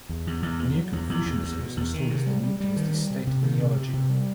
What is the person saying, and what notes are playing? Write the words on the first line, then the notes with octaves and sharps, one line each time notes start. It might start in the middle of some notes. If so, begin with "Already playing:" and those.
Neo-Confucianism was installed as the new dynasty's state ideology.
E2
E2
E2
E2
F#3
E2
E2
E2
E2
B2
E2
D#3
C3
G3
G3
G3
D#3
G3
C3
C3
D#3
C3
C3
C3
G3